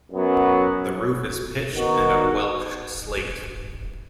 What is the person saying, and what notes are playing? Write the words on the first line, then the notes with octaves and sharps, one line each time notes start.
The roof is pitched and of Welsh slate.
F#2 F#3 B3
D#3 B3 D#4 F#4